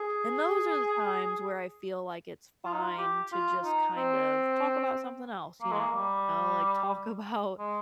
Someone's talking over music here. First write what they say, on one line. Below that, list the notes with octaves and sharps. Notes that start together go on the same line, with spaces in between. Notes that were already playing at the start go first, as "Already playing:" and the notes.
and those are the times where I feel like it's fine to just kind of talk about something else, you know. Like, talk about
Already playing: G#4
F4
D#4
F4
G4
F4
D#4
C4
A#3
G#3
A#3
G3
G#3